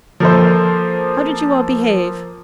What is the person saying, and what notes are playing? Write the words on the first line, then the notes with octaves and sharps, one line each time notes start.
How did you all behave?
F3 A#3 A4 C5